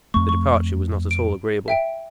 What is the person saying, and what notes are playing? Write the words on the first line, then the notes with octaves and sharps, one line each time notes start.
The departure was not at all agreeable.
F2 A3 C#6
C#6
D7
E5 G5 D7